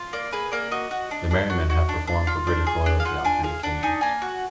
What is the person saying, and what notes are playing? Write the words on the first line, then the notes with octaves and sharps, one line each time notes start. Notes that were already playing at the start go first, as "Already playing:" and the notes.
The Merrymen have performed for British Royalty on three occasions.
Already playing: F4
A#3 D5
G#4 B4
A#3 D5
F#4 D#5
F#4
D4
D4
F#4
F#4
D4
D4
F4
D4
G#4
D4
F5
F4 F#5
D4 G#5
G#4 F5
D4 F#5
D#4 G#5
A#3 G#5
F#4